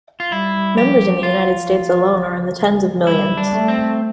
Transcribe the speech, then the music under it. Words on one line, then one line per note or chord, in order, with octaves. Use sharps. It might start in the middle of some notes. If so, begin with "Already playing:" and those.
Numbers in the United States alone are in the tens of millions.
F4
G3 E4
F3 G4
F3 F4
G3 E4
D4
A3
C4